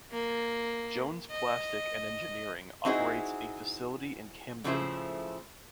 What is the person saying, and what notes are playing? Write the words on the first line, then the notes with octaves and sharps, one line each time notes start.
Jones Plastic and Engineering operates a facility in Camden.
A#3
D#5
C4 D#4 E4 F#4 G#4
A2 C#3 F3 A3 E4 C5